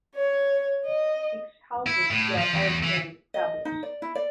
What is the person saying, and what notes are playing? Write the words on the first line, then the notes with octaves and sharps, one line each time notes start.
Six houses were originally established.
C#5
D#5
E4
A2
F3
E2
E3
D#5
D#4
D5
E4
D5